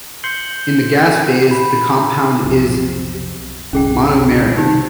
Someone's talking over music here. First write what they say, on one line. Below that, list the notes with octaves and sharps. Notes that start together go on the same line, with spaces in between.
In the gas phase the compound is monomeric.
C6 G6 C7 C#7 F#7 G7
B5
B1 F2 C3
G1 C2 C#4 G#4 G5
C3 D#3 G3 D#4 G4 C5